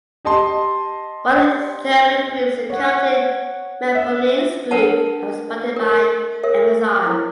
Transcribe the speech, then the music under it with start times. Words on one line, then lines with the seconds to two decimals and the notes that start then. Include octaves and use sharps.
One of the German groups encountered "Melpomene"s group and was spotted by "Amazon".
0.25 G4 D#5 A5 C6
2.70 C#5 F#5
3.95 E5
4.71 D4 A#4 B4 F#5 A5
5.76 A#4
6.44 A#4 E5
7.07 E4